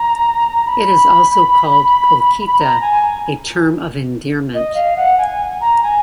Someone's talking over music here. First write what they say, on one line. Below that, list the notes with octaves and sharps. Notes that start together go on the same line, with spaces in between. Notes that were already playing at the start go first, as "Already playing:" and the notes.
It is also called "polquita", a term of endearment.
Already playing: A#5
B5
A#5
G#5
D#5
F5
F#5
G#5
A#5
G#5